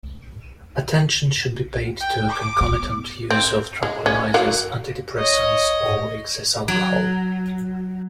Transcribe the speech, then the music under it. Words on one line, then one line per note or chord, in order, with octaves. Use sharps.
Attention should be paid to concomitant use with tranquillizers, antidepressants or excess alcohol.
G5
D6
B3
C4
G#3
C#4
F#3 A#3
C#5 D#5
F#3